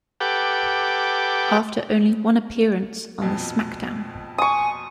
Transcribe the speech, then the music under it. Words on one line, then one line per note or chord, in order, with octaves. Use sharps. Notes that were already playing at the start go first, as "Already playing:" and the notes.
After only one appearance on the SmackDown!
G4 A4 B4 F#5 G5 D6
A#1 F2 B2
G#5 C#6 D#6